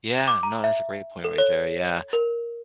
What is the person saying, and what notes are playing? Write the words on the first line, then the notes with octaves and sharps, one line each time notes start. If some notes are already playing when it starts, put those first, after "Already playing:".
Yeah. No, that's a great point right there, yeah.
D6
A#5
E5
A4
C#5
A#4